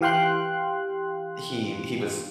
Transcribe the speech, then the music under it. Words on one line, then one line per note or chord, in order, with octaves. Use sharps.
he he was
E3 G4 F5 G5 C6 F#6